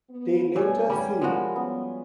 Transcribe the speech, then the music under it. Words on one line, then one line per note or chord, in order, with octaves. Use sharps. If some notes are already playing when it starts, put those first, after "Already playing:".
They later sued.
B3
G2 B2 A3 C#4 D5 G#5
E2 G3 C#4 B4
F3 G#3 F#4 G4 A#4
G3 B3 C#4